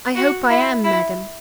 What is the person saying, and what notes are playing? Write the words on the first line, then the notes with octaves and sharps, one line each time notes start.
"I hope I am, madam."
F#4
E4
E4